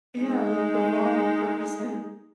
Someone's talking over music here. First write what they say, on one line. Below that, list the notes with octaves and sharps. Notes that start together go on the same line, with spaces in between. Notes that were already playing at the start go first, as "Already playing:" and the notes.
Yeah, like the wrong person.
G#3 D#4